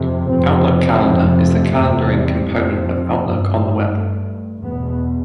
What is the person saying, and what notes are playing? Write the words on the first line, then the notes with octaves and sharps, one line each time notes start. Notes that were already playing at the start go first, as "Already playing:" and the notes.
Outlook Calendar is the calendaring component of Outlook on the web.
Already playing: F2 C3
F2 C3 C4
F2 C3 C4
A3
E2 C3
G3
F2 C3
F3
G2
G3
G2 A3
E2 B2 B3